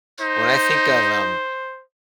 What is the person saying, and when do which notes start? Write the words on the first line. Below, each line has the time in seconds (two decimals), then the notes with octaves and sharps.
when I think of, um,
0.21 D#4 C5